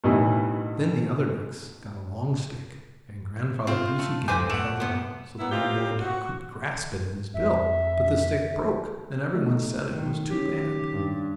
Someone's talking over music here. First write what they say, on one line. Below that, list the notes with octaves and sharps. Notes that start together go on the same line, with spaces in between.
Then the other ducks got a long stick and Grandfather Goosey-Gander held it out, so the little boy duck could grasp it in his bill, but the stick broke, and every one said it was too bad!
A1 G2 B2 D#3 E3
C4 F4
A3
D1 B4 C5 G#5 D6 G6
A3 F#5 D7 E7
C3 B3
F#3 A#3 B3 E4
C4 D#4 F4 G4
F#4
F2 E5
A3 D#4
D#3
F#3 C#4 G4
G2